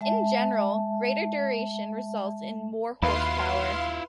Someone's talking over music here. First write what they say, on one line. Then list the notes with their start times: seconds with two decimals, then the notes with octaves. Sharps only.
In general, greater duration results in more horsepower.
0.01 G#3 E5 A5
3.02 D#2 E4 F4 B4 F5 C6